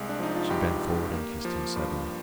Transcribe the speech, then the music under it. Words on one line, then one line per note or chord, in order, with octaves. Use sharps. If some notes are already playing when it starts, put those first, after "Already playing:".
She bent forward and kissed him suddenly.
Already playing: C2 G#3 G#4
D4
F3 D#4
F4
G2 G4
G2
A#3
F3
G2